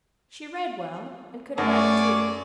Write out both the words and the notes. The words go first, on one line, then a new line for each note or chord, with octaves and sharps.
She read well and could write, too.
F#2 A3 G#4 C#5 D5